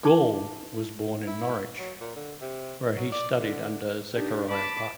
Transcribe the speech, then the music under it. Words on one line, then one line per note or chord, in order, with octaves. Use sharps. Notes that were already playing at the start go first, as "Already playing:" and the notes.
Gaul was born in Norwich, where he studied under Zechariah Buck.
D#4 A5 D6
E4
F#3
A#2
D3
C3
F#3
D5
D3
D4 D#4 G4
A5 B5 D6